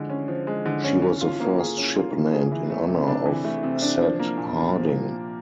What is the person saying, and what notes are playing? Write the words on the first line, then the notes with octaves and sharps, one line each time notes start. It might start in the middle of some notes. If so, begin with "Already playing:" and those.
She was the first ship named in honor of Seth Harding.
Already playing: D3 F3 G#3
C#4
F3
G#3
D3
C#4
C#4
F4
A#3
G#4
C#4
F4
A#3
G#4
E3
A3
C3
D4
E3
A3
C3
D4
F3
A#3
A#2
A#2
F3